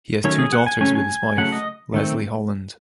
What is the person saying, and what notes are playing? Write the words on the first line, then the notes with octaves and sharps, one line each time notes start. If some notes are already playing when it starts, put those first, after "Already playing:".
He has two daughters with his wife, Leslie Holland.
D#3 F#3 A3 C#4 C#5
G#4
F#5
G#5
C#3 F#3 A3 C#4 G#5
G#5
C#3 F#3 A3 F#5
D#5
D#3 A3 C4